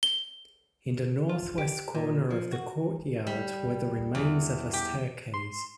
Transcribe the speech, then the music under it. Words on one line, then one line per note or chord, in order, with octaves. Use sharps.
In the north-west corner of the courtyard were the remains of a staircase.
G7
F4
G4
A#2
F3
F#4
G3
E2
G4
C6